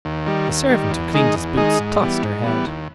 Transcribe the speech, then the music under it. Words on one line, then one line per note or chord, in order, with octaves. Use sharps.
The servant who cleaned his boots tossed her head.
D#2
D#3 G3
D#2
D#3 G3
E2
D#3 G#3 D#4 G#4
E2
D#3 G#3 D#4 G#4
G#2
E3 G3 B3
G#2
E3 G3 B3
D#2